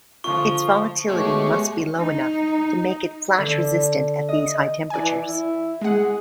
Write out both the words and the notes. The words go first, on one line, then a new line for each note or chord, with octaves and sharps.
Its volatility must be low enough to make it flash-resistant at these high temperatures.
D3 F3 F4 C#6
B2 G#3 A3 G4 C#5 C#6
D#4
D3
D#5
E3 D5 G#5
E4
G#3 G#4 F#5